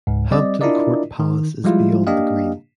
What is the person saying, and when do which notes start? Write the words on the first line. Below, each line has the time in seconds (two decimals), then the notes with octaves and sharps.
Hampton Court Palace is beyond the Green.
0.07 C#2 G#2
0.31 G3 C4 D5 D#5
0.61 D4 E4 F4 A#4 D5 D#5
1.20 D#3
1.64 F3 G3 G#3 E4 F4
2.07 A#3 D4 G4 D#5 F5